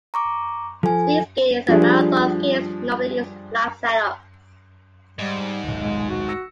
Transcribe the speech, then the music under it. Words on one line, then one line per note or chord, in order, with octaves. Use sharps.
Speed skaters and marathon skaters normally use flat setups.
A#5 C#6 D6
F3 A4 G#5
F3 G3 D4 G#4
G#2 G3
D#1 B1
G#3
F#4
E6 A#6 C#7